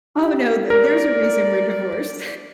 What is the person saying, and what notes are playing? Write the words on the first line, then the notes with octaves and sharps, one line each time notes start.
Oh, no, th there's a reason we're divorced.
G4
A#4 D5